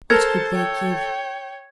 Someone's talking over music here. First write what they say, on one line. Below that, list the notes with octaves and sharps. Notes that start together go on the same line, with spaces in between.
What could they give?
A4 A#4 C5 A5 G#6 C#7
C#5 G5